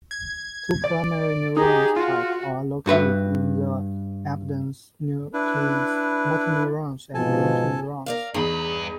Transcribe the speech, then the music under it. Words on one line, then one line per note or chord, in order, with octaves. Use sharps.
Two primary neuron types are located in the abducens nucleus: motorneurons and interneurons.
G#6
D5
D#4 G4 G#4
F4 F#4
G2 F#4 B4 E5
D4 E4 B4
G#2 B2 F3 A4 G#5 A5
A#4 D5 F5
E2 G2 D#4 G#4 B4